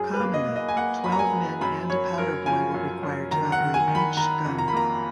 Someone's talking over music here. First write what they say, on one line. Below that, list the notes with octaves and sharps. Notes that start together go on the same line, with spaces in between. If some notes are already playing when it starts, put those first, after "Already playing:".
Commonly, twelve men and a powder-boy were required to operate each gun.
Already playing: F#2 G#4
B4
A#3
D#5
A#3
D#5
G#5
A#3 F#5
F#2 B5
A#5
G#5
F#2
F#2 B5
F#2 C#5
F#2 A#4
F3 G#5
F#2
F#2
D#3 A#5
F#5
D#3
G#5
D#3
B5
D#3 A#5
F2
A#5
B5
A#3 A#5